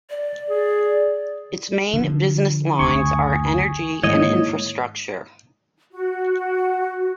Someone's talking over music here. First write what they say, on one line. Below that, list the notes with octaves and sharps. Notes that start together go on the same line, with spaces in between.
Its main business lines are Energy and Infrastructure.
D5
G#4
D3 F3
F#1 D2 D4 G#4 C#6
G#2 D#3 G#3 A#3 E4 C#5 D#5
F#4